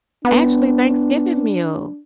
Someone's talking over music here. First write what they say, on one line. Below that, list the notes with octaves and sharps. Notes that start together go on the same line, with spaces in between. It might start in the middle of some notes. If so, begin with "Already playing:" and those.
Actually, Thanksgiving meals,
B3 D4